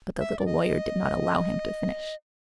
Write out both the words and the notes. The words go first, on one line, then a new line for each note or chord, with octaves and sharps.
But the little lawyer did not allow him to finish.
E5
D5
D#5